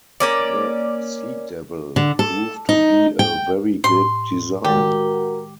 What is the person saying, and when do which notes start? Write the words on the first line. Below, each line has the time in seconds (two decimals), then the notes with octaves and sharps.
The "Sea Devil" proved to be a very good design.
0.20 A#3 C#4 D5
1.96 D3
2.19 A4
2.69 D#4
3.19 G5
3.84 A2 C6
4.64 D#3 G#3 F#4 G4 A#4